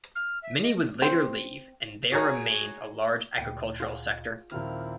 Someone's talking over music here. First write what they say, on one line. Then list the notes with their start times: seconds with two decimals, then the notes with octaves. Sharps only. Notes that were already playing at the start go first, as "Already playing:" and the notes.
Many would later leave, and there remains a large agricultural sector.
0.15 F6
0.43 E5
0.62 D#5
1.02 C4
2.12 F#4 G#4 C#5 A#5
3.38 D2 A#2 G5
3.80 F4 G#4 F#5
4.51 D#2 A#2 F3 A#3 C4 E4 F6